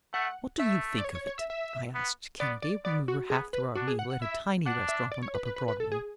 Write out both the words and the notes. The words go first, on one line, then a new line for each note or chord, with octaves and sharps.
"What do you think of it?" I asked Kennedy, when we were half through our meal at a tiny restaurant on upper Broadway.
A3 F#5
A3 E5
D5
C#5
C#5
C#5
E5
E5
B3
B3 D5
D5
B3 D5
F#4
B3 G#4
B4
D4 F#4
G#4
F#5
F#5
E4 E5
D4 F#5
E5
D5
C#5
B4
B4
B4
B4
A4
G#4